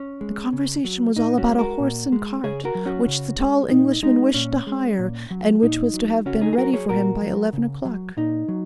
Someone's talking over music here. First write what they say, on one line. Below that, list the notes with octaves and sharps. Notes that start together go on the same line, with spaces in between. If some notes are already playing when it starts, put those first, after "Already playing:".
"The conversation was all about a horse and cart, which the tall Englishman wished to hire, and which was to have been ready for him by eleven o'clock."
Already playing: C#4
G#3
C#3
F#3
A#2 D#4
C#4 F#4
G#3
F#4 A#4
A#2
G#3
C#3 G#4 C#5
F#4 A#4
F#3
C#4 F#4
C#3
G#3
A#2 D#4
G#3 D#4
A#2 C#4
G#3
A#2
F#3
A#2 D#4
F#3
C#3 C#4 F#4
D#4 G#4
G#4
F#3 F#4 A#4
G#4 C#5
A#2 F#4 A#4
F#3
C#3
F#3
A#2 D#4
F#3